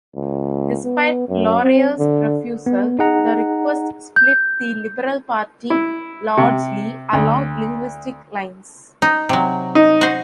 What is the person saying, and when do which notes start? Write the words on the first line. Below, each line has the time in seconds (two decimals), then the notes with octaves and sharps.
Despite Laurier's refusal, the request split the Liberal Party largely along linguistic lines.
0.15 C#2
0.85 B3
1.29 F#2
1.63 C4
1.99 D3
2.66 B3
2.99 D#4 G#4 F#5 A#5
4.16 G6
5.70 E4
6.37 C3
7.13 D2
9.02 D#4
9.29 C3 F#3
9.75 D#4
10.01 F#4 C5